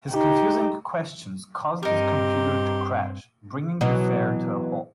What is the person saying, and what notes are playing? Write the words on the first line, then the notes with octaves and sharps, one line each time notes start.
His confusing questions cause this computer to crash, bringing the fair to a halt.
D#4 G4
G2 C4 D#4 G4 A#4
B2 E3 F#3